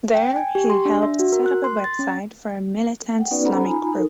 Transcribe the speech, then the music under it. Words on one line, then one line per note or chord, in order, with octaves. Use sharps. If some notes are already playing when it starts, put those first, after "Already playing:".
There he helped set up a website for a militant Islamic group.
G5
G#5
G4
C6
D4
E5
F#4
A#4
F#6
C6
A6
C#4
F#5 G5
B3 C#4 D#4 F#4 B4 D5
C#4 A4 C5 F#5 A#5 B5
D#4 F4 G#5 A#5 B5
D#4 A4 A#4